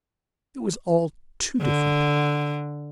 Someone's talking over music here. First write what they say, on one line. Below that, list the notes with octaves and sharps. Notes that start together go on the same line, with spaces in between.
It was all too different.
D3